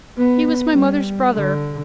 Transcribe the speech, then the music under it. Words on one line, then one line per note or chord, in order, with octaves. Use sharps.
He was my mother's brother.
B3
G3
D3